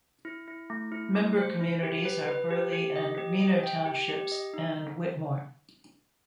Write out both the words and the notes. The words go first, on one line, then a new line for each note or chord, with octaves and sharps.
Member communities are Burleigh and Reno townships and Whittemore.
E4
E4
A3
E4
A3
C5
E4
G4
B4
B4
G4
G4
D#5
G4
D#5
G5
G4
G4
D#5
D#4